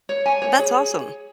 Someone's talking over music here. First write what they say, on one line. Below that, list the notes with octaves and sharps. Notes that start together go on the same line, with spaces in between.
That's awesome.
C#5
G#5
C#5
G#4